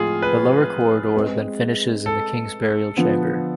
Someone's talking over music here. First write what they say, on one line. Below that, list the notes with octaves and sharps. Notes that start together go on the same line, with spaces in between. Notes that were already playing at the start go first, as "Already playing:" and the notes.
The lower corridor then finishes in the king's burial chamber.
Already playing: A2 F3 G#3 C4 F4 G#4
B4
G#3 C4 G#4 B4
A4
D3 F3 B3 F4